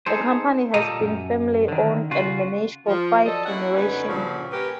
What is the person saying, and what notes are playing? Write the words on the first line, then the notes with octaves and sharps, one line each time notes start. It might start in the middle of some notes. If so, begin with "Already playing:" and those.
The company has been family-owned and managed for five generations.
D#4 G#4 A4 C5
A#2 G3 A#3 A4 D#5 A#5
F#2
D3 D#3
C#3 F4 F#4
F3
F3 F#3 A4 D5 D#5
A#3 C#4 E4 F#5
F#2 D3 B3 C#4 D#4
G2 A#2 C#3 F3 F#3
C#4 G4 A#4 B4